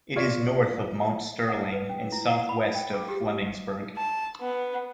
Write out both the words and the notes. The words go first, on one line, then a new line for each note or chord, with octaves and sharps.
It is north of Mount Sterling and southwest of Flemingsburg.
F4 C#5 D5
F#5
B4
C#4
E4
F#5
B5
G5
G#4
G4
A5
B3